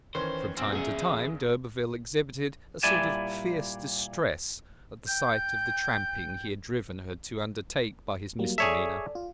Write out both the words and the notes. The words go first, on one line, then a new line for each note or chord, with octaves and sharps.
From time to time d'Urberville exhibited a sort of fierce distress at the sight of the tramping he had driven her to undertake by his misdemeanour.
D#3 E3 C#4 C5
D2 B2 C4
A#1 E2 C#3 G#4 E5
A#2 G3 E4 D5 G#5 A5
G5 G6
F#3 G3 A#3
G#4 A4 C#5 D5 E5
F4